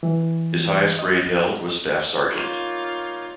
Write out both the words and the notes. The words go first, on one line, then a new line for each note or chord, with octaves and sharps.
His highest grade held was staff sergeant.
E3
D#5
A#3 D#4 F4 C#5